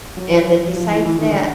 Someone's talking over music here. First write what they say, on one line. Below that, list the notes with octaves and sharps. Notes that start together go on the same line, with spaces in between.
And then besides that,
F#3
F3
E3
E3
D#3
D3